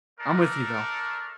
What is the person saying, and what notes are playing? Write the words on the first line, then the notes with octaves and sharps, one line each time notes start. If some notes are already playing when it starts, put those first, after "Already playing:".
I'm with you though,
A3 D4 A4 A#4